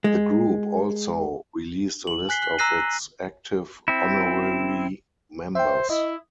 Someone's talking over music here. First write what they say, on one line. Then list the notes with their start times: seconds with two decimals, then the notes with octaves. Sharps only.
The group also released a list of its active honorary members.
0.04 G#3
2.07 F#7
2.29 G#5 F#6 B6 C7 G7
2.42 F#6
2.58 A#5 E6 F#6 A#6 C7 D#7
3.88 C4 E4
5.55 C5 E5 G5
5.90 E4 D#5